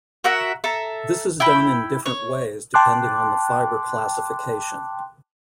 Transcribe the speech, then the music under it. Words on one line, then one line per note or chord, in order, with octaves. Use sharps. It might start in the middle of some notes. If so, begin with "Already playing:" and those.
This is done in different ways depending on the fiber classification.
F#4 A#4 E5 F#5
A4 E5 A#5
E4 G5 B5
C#5
G5 A5 C6 D6 F#6